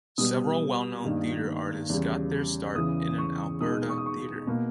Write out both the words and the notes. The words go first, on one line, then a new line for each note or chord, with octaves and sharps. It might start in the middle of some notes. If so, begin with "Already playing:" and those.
Several well-known theatre artists got their start in an Alberta theatre.
B2 G3 B3 D#6
G2 D#3 A#3 D#4
E2 C#3 G3
E2 C#3 E3 D#6
C#6
B2 G#3 D#4 D#6
C#6
D#6
C#6
B2 A#3